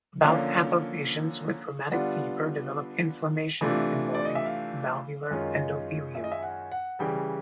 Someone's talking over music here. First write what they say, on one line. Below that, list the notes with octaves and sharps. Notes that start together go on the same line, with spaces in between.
About half of patients with rheumatic fever develop inflammation involving valvular endothelium.
D3 F3 A#3 C#4 F5
D3 G3 B3 D4 F4 F#5
C3 E3 A3 D4 F4
D5
D#5
E5
F5
F#2 D#3 G#3 C#4 F4
E5
D#5
E5
F#5
F#5
C#3 E3 G3 G5